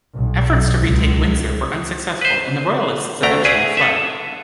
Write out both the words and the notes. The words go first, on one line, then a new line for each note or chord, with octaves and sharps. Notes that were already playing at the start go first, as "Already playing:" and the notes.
Efforts to retake Windsor were unsuccessful and the royalists eventually fled.
B1
C#2
B4 C5
D2 A3 D4 D5 G5 A#5
G#4 B4 C5 D5 F5 G#5
A4 B4 E5